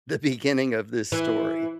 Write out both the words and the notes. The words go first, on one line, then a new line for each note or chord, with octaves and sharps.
the beginning of this story.
E3